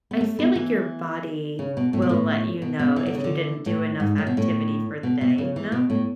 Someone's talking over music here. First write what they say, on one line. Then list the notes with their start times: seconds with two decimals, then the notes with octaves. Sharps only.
I feel like your body will let you know if you didn't do enough activity for the day, no?
0.11 B3
0.21 A3
0.39 B3
0.56 E3
1.59 C#3
1.77 B2
1.93 A2
2.02 B2
2.09 A2
2.62 B2
2.79 B2
2.96 E3
3.06 D3
3.15 C#3
3.24 D3
3.66 A2
4.00 G#2
4.18 A2
4.27 B2
4.37 A2
5.03 B2
5.21 B2
5.38 C#3
5.56 E3
5.72 B2
5.90 A2